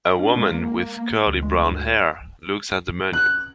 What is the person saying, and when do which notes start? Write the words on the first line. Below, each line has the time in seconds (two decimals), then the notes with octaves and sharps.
A woman with curly brown hair looks at a menu.
0.19 C#4 D4
0.37 G#3 A#3
1.27 D2
1.43 G#3
3.13 F#6